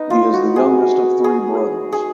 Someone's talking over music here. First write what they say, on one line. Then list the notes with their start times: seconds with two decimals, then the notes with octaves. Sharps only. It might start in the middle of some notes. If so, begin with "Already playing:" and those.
He is the youngest of three brothers.
Already playing: B3 D#4
0.10 F4
0.33 F#4
0.56 G#4
1.24 G#4
1.92 G#4